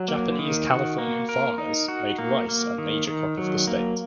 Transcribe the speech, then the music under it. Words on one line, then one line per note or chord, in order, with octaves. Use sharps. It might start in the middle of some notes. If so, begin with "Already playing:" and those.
Japanese Californian farmers made rice a major crop of the state.
Already playing: F#3
A#3
D#3
F#4
A#3
A#4
D#4
F#4
A#3
A#3
D#3
D#3
F#3
A#3